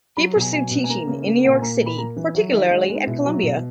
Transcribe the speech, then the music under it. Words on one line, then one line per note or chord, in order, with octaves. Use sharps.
He pursued teaching in New York City, particularly at Columbia.
F#3 B5
B2 G#5
F#3 G#5
B2
G#5
A#3 A#5
C#3
A#3
A#2 F#5
G#5
A#3 A#5
A#2
B5
A#3 A#5
E3
F#3 E5
D#3 E5
G#3 D#5
F#4
G#3
D#4
B2 E4
F#3
B2